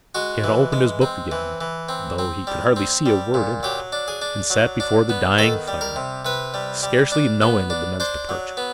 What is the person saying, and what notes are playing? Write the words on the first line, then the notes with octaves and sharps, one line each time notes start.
He had opened his book again, though he could hardly see a word in it, and sat before the dying fire, scarcely knowing of the men's departure.
G#3 F#4
E3
G#3
C4
E3
E3
C4
C4
G3
C4
G3
A#2
F#3 G4
D4
G#4
D4
F#3
D4
B3
D#3 A4
G3
A#4
C3
C3 B4
G3
G3
D4
B3
D4
D4 C5
F#3
B3